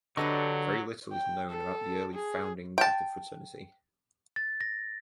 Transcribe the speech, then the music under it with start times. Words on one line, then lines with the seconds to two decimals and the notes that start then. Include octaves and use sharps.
Very little is known about the early foundings of the fraternity.
0.17 D3 F#3 D4 G4 A4 B4 D#5 C#6
1.12 G5
1.50 A4
2.14 G#4
2.78 G5 A5
4.36 A6
4.61 A#6